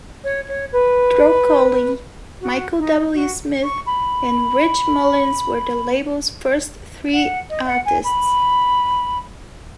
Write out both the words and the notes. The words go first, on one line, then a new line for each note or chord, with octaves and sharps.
Troccoli, Michael W. Smith, and Rich Mullins were the label's first three artists.
C#5
C#5
B4
F#4
D#4
F#4
C#6
B5
F#5
D#5
D#5
F#5
G#5
B5